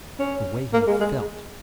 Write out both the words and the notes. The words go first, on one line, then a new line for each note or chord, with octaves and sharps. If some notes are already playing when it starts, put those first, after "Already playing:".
The way he felt.
C#4
A#3
G#3
G#3